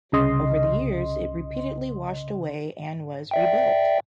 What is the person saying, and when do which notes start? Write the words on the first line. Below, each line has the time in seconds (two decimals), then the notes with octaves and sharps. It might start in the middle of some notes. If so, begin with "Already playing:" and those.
Over the years, it repeatedly washed away and was rebuilt.
0.12 C2 C#3 D#5 C6
3.31 D5 E5 G5